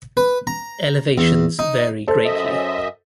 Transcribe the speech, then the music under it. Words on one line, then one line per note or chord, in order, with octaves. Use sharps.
Elevations vary greatly.
B4
A#5
E2
D#4
A4 C5
F#2 D#5 E5